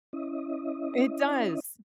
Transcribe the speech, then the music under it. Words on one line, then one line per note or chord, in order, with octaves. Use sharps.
It does.
C#4 E4 D#5